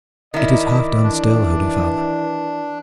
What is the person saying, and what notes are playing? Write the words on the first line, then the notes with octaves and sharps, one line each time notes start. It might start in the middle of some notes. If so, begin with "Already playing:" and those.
"It is half done still, holy father."
D#3 E4 D5
E3 D4